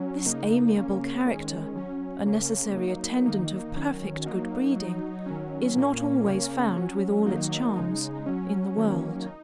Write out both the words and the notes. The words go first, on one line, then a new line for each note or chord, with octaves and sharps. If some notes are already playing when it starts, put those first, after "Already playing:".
This amiable character, a necessary attendant of perfect good breeding, is not always found with all its charms, in the world.
Already playing: F#3 C#4
C#3 A#3 D#4
C#3 A#3 C#4
D#3 G#3 C#4
F#3 C#4
C#3 A#3 C#4
F#3 A#3 D#4
D#3 A#3 D#4
D#3 F#3 C#4
F#3 A#3 D#4
F#3 D#4
D#3 F#3 C#4
A#2 A#3 C#4
C#3 A#3 C#4
F#3 C#4
D#3 F#3 A#3 D#4
C#3 G#3 D#4
F#3 C#4
D#3 F#3 A#3 C#4
D#4